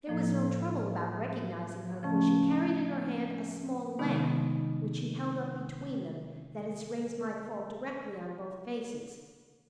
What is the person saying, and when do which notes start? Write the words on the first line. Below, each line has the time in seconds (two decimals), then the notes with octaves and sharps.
There was no trouble about recognising her, for she carried in her hand a small lamp, which she held up between them, that its rays might fall directly on both faces.
0.07 A2 F3 A#3
2.03 C#3 F3 A3 C#4
3.99 C3 D#3 G#3 B3 D#4